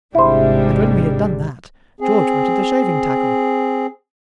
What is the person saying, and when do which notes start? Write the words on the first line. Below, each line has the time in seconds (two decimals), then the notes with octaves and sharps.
And when we had done that George wanted the shaving tackle.
0.15 G#1 C3 G3 G#3 D4 E4 C5
2.01 C4 G#4